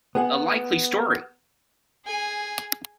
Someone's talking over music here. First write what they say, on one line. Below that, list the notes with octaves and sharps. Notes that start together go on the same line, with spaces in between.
A likely story!
B3 G#4 F#5
G#4 G#5